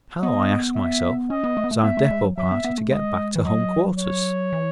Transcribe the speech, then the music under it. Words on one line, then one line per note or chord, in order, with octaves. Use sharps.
How, I ask myself, was our depot party to get back to home quarters?
B3 D#5
E5
C#4 D#5
B3
A3
B3
A3
B3 E5
A3
G#3
F#3
F#3 E5
B3
B3
A3
G#3 D#5
E3
F#3 D#5
C#5
E3